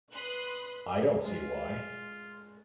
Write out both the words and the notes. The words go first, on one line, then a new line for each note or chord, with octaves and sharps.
I don't see why.
B4 B5 C6 D#6 F#6
G#3 F4